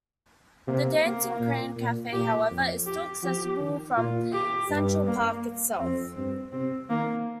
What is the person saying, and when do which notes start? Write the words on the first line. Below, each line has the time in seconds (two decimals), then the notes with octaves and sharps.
The Dancing Crane Cafe, however, is still accessible from Central Park itself.
0.67 C3 A#3
1.04 A#3
1.40 A#2
1.77 A#2
2.13 A#2 G4
2.51 F2
2.87 G4
3.23 F3 G4
3.60 D#3
3.97 A#2 F4
4.33 G4
4.70 G2
5.07 A#3
5.79 F2 C4
6.16 G2 C4
6.53 C3 C4
6.90 D#3 A#3